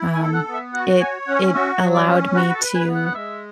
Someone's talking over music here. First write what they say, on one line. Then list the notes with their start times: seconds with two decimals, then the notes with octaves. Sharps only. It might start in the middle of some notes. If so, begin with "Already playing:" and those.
Um, it it allowed me to
Already playing: E4
0.14 G#5
0.21 A4
0.34 F#5
0.48 B3
0.54 E5
0.73 F#4 F#5
1.01 C#5 G#5
1.28 C#4 F#5
1.54 F#4 E5
1.81 F#3
1.94 D5
2.08 C#4
2.34 F#4 B4
2.49 B4
2.54 A4
2.61 B4
2.74 G#5
2.88 B3
2.95 F#5
3.05 F#5
3.14 G#3 E5